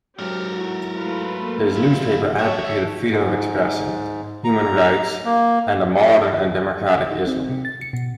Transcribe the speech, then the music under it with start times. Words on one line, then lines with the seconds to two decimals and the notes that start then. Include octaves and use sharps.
His newspaper advocated freedom of expression, human rights and a modern and democratic Islam.
0.19 G#2 F#3 G4 A4 A#4
0.57 E4 F#4
0.94 A3 F4 B4
1.41 A#3
1.75 B2 E4 F5
2.39 E3 C#5 E5 A5
3.11 G#2
4.44 A#5
5.25 A#3
7.11 D#4
7.27 C4
7.49 C3
7.65 A6
7.81 C#7
7.93 B2